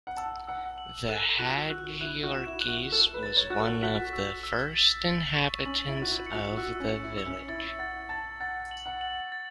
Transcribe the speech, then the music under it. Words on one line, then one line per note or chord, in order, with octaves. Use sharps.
The Hadjiyiorkis was one of the first inhabitants of the village.
F#5
A5 E6
F#5 E6
F#7
A4 F#6
F#4 F#6
F#4 F#6
E4 F#6
F#4
E7
E4
F#6
F#4
A4 E7
B4
A6
C#5
F#4 F#6
A4
F#4 B6
E6
E6
A6
A6
C#6
C#4 F#7
E4
A6
F#4
E4
C#7
F#4
F#4 E6
C#4
C#7
E4
E6
C#4
E4 A6
F#5 A6
A5 A6
F#5 A6
F#7
F#5
F#7
A6